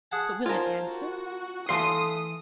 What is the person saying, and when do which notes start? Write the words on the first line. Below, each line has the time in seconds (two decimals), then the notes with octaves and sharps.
But will it answer?
0.12 G#4 F#5 A5
0.46 F4 A#4 C5 G#5 A5
0.89 F#4
1.69 E3 A3 E5 F5 C6 D#6